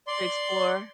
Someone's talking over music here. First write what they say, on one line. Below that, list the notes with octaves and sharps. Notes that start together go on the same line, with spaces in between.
To explore?
D5 C6